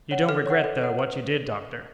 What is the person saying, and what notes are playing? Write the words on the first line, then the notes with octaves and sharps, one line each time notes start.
"You don't regret, though, what you did, doctor?"
C#5 F#5
A4 F6
C#5 F#5
A4
C#5 F#5
B4